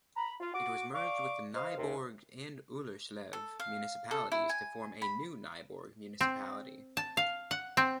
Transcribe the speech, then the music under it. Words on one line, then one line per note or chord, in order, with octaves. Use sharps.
It was merged with Nyborg and Ullerslev municipalities to form a new Nyborg municipality.
A#5 B5
F4
F#4 F#5 D6
D5 F5 C#6 D6
C5 D#5 F5
D#2 C3
A4
F5
A4
E4
G#5
B5
C4
A5
F5
F#5
C4